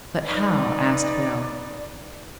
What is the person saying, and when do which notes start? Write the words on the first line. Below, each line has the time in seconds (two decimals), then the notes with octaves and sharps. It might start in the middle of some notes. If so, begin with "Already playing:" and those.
"But how?" asked Bell.
0.23 D#4 B4 D5